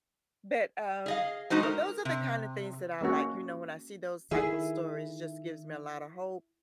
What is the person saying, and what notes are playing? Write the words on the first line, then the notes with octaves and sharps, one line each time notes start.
But, um but those are the kind of things that I like, you know when I see those type of stories, just gives me a lot of hope,
G#4 D#5 F5
G#3 D#4 F#4 C5 D#5
A#4
C3
G#3 A#3 C#4 F#4
D#3 E4 G#4